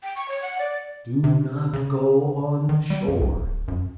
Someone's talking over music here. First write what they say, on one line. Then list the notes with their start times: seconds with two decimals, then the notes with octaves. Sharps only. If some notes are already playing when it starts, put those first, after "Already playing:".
Do not go on shore.
0.03 G5
0.16 C#6
0.28 C#5
0.42 F#5
0.59 D5
1.24 C3
1.73 C#3
2.69 D#3
2.90 G3
3.08 F#2
3.21 B1
3.33 D1
3.68 F#2